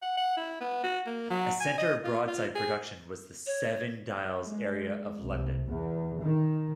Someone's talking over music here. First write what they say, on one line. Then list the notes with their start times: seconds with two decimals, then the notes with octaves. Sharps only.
A centre of broadside production was the Seven Dials area of London.
0.02 F#5
0.17 F#5
0.37 E4
0.61 B3
0.84 F#4
1.06 A#3
1.30 F#3
1.60 G#5
1.78 D#5
2.04 F4
2.28 F4
2.55 G#4
3.47 C#5
4.42 G#3
5.21 C2
5.67 E2
6.22 D#3